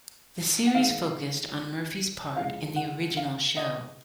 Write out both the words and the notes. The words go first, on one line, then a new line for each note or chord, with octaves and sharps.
The series focused on Murphy's part in the original show.
F#5
D#3 G#3 F5
C#3 F3 G#3 F5
F#5
F5
D#5